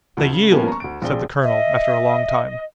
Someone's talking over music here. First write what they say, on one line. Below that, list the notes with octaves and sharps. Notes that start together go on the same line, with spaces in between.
"They yield," said the colonel, after a long time.
D2 F3 E4 E7
C#3
F3 G3 A#3 B3 C#4
A#5 C#6
D2 D7
A#1 C4 D4 G#4 G7
D#5 E5